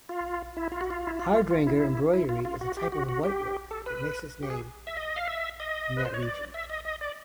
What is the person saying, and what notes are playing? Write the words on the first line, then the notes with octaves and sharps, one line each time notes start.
Hardanger embroidery is a type of whitework that takes its name from that region.
F4
E4
F4
F#4
F4
E4
F4
F4
E4
E4
F4
F4
F#4
G4
F#4
F#4
G4
A4
B4
G4
G#4
E5
D#5
F5
E5
D#5
B4
C5
C#5
D5
E5
D#5
D#5
D5